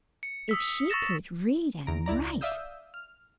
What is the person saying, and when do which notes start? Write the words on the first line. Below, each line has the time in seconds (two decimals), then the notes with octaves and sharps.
If she could read and write!
0.23 C#7
0.49 D#6 E6 B6
0.90 C#6 E6 A6 A#6 E7
1.86 E2 A#5 D7
2.06 C#2 E4 D5 A#5
2.41 D5 E5 F5 D#6 E6 G6
2.94 F6